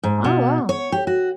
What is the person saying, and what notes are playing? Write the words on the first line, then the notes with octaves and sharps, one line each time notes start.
Oh, wow.
G#2
B2
C#5
G4
F#4